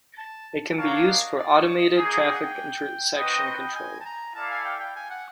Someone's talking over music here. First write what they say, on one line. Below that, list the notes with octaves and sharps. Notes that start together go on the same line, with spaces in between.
It can be used for automated traffic intersection control.
A5
D4 F#4 A#4 C#5 F5 A5
A#5
A5
D#5
D5
C#5
D#5
A#3 D#4 G#4
G5
F#5
G5
C4 D#4 F#4 B4 D#5
G#5
A5
A#5
E4 A4 D5 F5 A5
G#5
G5
G5
G#5
F#5